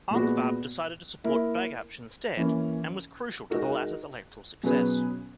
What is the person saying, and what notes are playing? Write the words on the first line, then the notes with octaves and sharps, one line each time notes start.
Ankvab decided to support Bagapsh instead and was crucial to the latter's electoral success.
A#2 G#3 B3 F#4
A#3 E4 A#4
E3 A#3 C#4
G#3 D#4 F#4 A#4
B2 F#3 C#4 G#4 B4